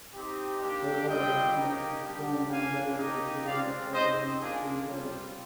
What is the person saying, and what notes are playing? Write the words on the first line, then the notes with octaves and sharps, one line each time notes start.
The relatives must perform no labor during the following three days.
C4 D#4 G4
A#3 D4 G4
G3 C4 F4 D#5 G5
A#3 D#4 G4
G3 D4 G4
A#3 D4 F4 F5 G#5
A#3 D#4 G4
G#3 C4 F4 D5 F5
C4 D#4 G4 C5 D#5
A#3 D4 F4 G#4
G3 C4 F4